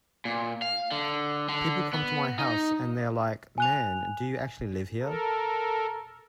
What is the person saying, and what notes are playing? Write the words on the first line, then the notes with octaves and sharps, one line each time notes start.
People come to my house and they're like, 'Man, do you actually live here?
A#2
F5
D3
D3
B3
D#4
G#5 F#6 F7
A4 A#4